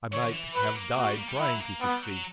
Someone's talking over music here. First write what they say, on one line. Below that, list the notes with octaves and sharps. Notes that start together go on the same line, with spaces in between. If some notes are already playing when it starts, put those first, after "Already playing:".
I might have died trying to succeed.
D3 C#5
D3
E3
F#3 B4
A#3
A#3 F#4
G3
A#3
G3
F#3 E4
A#3
G3 B3
F#3